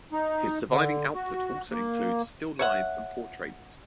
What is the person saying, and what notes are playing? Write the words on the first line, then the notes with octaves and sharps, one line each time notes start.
His surviving output also includes still lifes and portraits.
D#4
D3
F#4
A#3
C#5 E5 F#5